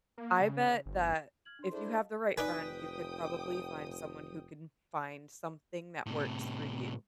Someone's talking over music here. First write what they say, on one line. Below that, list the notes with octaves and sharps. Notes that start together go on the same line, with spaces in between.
I bet that if you have the right friend, you could probably find someone who can find something that works for you.
A#3
C#3
G1
F6 G#6 F#7
D4 C6
D4 E4 G#4 A4 C5
D#5 F5 A5
F1 D#4 B4 D5 G5 G#5 D#6
A2 C3